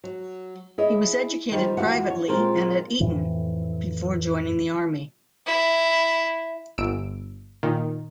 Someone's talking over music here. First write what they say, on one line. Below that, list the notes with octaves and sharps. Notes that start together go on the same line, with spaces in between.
He was educated privately and at Eton before joining the army.
F#3
E4 G#4 C#5 D#5
D#3 G3 E4 F4 G4 C5
F2 E3 F#4 F5 F#5
C#5
A#2 G#3 C4 F4 G4 A#4
F2 A2 E3
E4
G1 E6 D7
A#2 D#3